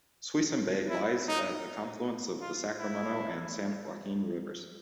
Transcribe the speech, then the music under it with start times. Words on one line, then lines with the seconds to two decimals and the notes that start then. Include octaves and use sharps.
Suisun Bay lies at the confluence of the Sacramento and San Joaquin Rivers.
0.90 E4
1.28 D#4
2.41 F4
2.79 E4